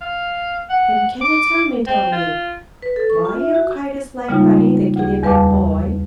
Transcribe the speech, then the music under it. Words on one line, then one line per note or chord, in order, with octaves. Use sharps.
"And can you tell me, Tommie, why your kite is like Buddy, the guinea pig boy?"
F5
F#5
D6
C4
F4
B4
A4
C#6
F4
E5
F#4
C#3 G3 G#3 A#3 D#4 F4
D2 G#4
E2 G3 B4 F5 A5 D6